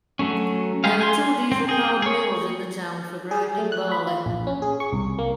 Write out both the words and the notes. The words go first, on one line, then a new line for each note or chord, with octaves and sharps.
There are two diesel-powered mills in the town for grinding barley.
F#3 A3 C#4
G3 G#3 G4 G#4 F5
G#5 C6
C4
G#4 G5
G#4 C#5
G#4
A3
F#6
B5
F4
A#1
C#4
G#4
C#6
C2
A#3